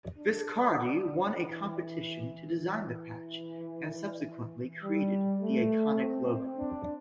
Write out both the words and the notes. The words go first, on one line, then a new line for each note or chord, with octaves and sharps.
Viscardi won a competition to design the patch, and subsequently created the iconic logo.
D4
E3
E3
G3
A3
C4
D4